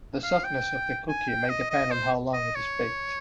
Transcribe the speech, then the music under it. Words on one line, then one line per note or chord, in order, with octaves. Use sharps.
The softness of the cookie may depend on how long it is baked.
F5
G5
G#5
G5
D#5
D#5
C5
D#5
C#5